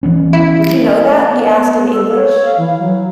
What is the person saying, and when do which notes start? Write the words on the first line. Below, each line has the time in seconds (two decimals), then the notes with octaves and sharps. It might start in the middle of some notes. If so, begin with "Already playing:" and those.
"Did you know that?" he asked in English.
0.03 E3 B3 C#4
0.33 E4
1.29 B3
1.55 B3
1.91 A4
2.15 C#5
2.45 F5
2.58 E3
2.79 F#3